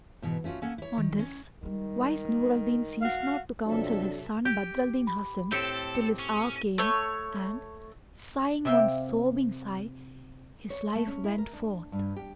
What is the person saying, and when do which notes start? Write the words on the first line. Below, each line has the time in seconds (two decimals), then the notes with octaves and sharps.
On this wise Nur al-Din ceased not to counsel his son Badr al-Din Hasan till his hour came and, sighing one sobbing sigh, his life went forth.
0.22 G#2 B2 E3
0.44 A3 C#4 F4 F#4
0.62 A#3 C#4 A4 F#5 G#5
0.78 E4 C#5
0.97 D#3
1.19 C#4
1.63 D#3 G3 G#3
3.02 F#4 F5
3.66 F2 C3 F#3 D4 A4 E5
4.45 G4 G6
5.07 B5
5.51 A2 C4 G4 A4 G6 C#7 E7
6.19 C#4
6.78 A3 C#5
8.65 C3 A#4 E5 F5 G5
10.70 C#5
10.95 A3
11.07 C#4
11.24 E4
11.38 A#4
11.53 D4
11.92 G2
12.16 G4